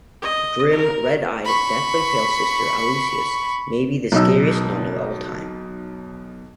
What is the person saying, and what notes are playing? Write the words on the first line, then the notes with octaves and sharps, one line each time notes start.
Grim, red-eyed, deathly pale Sister Aloysius may be the scariest nun of all time.
D#5
A#4
B5 C#6
B1 B2 D#4 E6